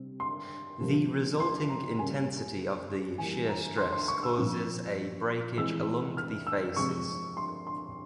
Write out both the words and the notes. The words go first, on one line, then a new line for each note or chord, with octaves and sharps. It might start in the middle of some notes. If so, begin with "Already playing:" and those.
The resulting intensity of the shear stress causes a breakage along the faces.
Already playing: C3 G3 C4
C6
C3 F3 A#3
C6
A#5
C#3 G3 A#3 G#5
E3 G3 A#3 G#5
A#5
C6
C6
C#6
E6
A#2 F3 C4
E3 G#3 C4 E6
F6
E6
C3 F3 G#3 C4 C#6
C6
C6